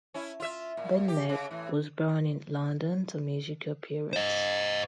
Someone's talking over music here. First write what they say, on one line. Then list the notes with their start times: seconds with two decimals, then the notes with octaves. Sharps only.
Bennett was born in London to musical parents.
0.14 C#4 E4
0.40 F4 E5
0.77 A#2
1.08 G4
1.29 C#3
1.51 A2 E3
4.13 C5 D#5